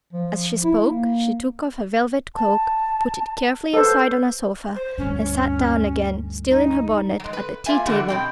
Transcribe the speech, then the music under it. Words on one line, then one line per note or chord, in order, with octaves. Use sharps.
As she spoke she took off her velvet cloak, put it carefully aside on a sofa, and sat down again, still in her bonnet, at the tea-table.
F3
E4
A#3
A5
A4 B4 C5
C5
D2 G2 C#4
D#4
F#3 G#3
B4
A#3 F4 E5 G#5
D3 E3 G3 F#4
B2 C4 G5